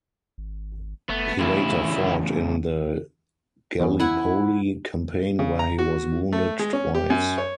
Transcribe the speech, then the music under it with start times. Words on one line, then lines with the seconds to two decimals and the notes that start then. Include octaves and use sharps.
He later fought in the Gallipoli campaign where he was wounded twice.
0.38 G#1
1.09 F#1 A3 B3
1.39 D2 A2 C#3 E3 E4
3.80 E2 B3 C#4
4.00 E4 F#5 G#5
5.39 C#3
5.59 A#5
5.79 F#4
6.33 A3
6.59 G#3
6.73 C#4
6.95 G4
7.10 F#2
7.38 C#5